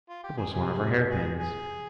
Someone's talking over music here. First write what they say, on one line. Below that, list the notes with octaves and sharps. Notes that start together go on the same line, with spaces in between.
It was one of her hairpins.
F4
G4
G#4
C3 G#4
G#4
G#4